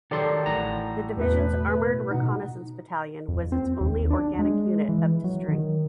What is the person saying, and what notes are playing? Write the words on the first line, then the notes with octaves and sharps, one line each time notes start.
The division's armored reconnaissance battalion was its only organic unit up to strength.
D#3 F#3 G4 A4 D5 C6
A1 A2 F#4 A#5
E2 B2 A3 B4
B2 D#4 F#5
F2
C4
D#2
D4
G#3
E3
F#3
D#3